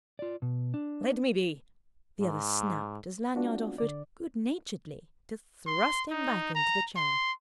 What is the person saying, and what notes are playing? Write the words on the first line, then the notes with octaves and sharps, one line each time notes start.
"Let me be," the other snapped as Lanyard offered good-naturedly to thrust him back into the chair.
F4 D5
B2
D4
G#2
G#3 B3 C4 D4 F4 F#4
D3 D5
C6
D#4
A#5
C6